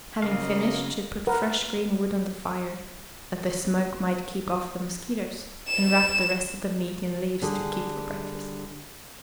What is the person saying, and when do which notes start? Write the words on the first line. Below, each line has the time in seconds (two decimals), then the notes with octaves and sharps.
Having finished, she put fresh green wood on the fire that the smoke might keep off the mosquitos, and wrapped the rest of the meat in leaves to keep for breakfast.
0.22 C#3 F#3 A#3 D#5 F5
1.27 A#4 B4 F#5
5.68 E7
7.42 D3 G3 G#4